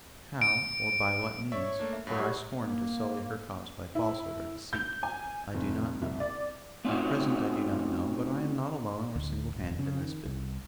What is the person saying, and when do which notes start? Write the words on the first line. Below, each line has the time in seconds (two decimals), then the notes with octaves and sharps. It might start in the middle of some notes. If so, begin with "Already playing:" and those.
How or by what means--for I scorn to sully her cause by falsehood or deceit--I do not know; at present I do not know, but I am not alone or single-handed in this business.
0.42 D7
1.52 C#5 D5 E5 C#6
1.79 A3 A#3 D4
1.93 E5
2.07 G2 F#3 G#5
2.19 G4 G#4 D5 B5
2.63 A#3
3.95 E4
4.73 G6
5.03 G#5
5.54 F1
6.02 C2
6.20 D5
6.85 A3 C4 C#4 D#4 F4 F#4
9.16 D2
9.56 D#1
9.79 C#3
10.00 D#3
10.25 C2